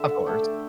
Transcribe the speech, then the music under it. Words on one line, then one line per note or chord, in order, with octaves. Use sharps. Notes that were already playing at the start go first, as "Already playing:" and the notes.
Of course.
Already playing: D3 E5
F#5
A3 D4 G5
G5